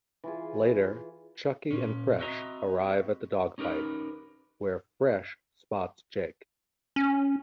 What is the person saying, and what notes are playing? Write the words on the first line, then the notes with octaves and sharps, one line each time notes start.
Later, Chuckie and Fresh arrive at the dogfight, where Fresh spots Jake.
E3 F4 G#4
A#2 C#4
C4 F#4 B4 D#5 E5 A#5
C#4 D#4 G4 A#4 B4
C#4